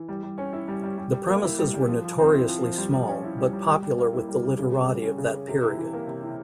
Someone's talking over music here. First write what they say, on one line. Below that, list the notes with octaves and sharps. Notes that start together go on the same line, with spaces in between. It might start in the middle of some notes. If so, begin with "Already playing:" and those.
The premises were notoriously small, but popular with the literati of that period.
Already playing: E3
G3
G3
C#4
E4
G3
G3
G3
G3
A#3
E4
G3
G3
F3
F3
C4
E4
F3
F3
G3
G3
C#4
E4
G3
G3
G3
G3
A#3
E4
G3
G3
C#3
C#3
G3
C#4
C#3
C#3
C3
E4
E3
A#3
C3
E4